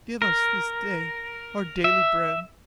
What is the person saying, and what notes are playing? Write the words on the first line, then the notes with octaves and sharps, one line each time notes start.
"Give us this day our daily bread."
A#4
E5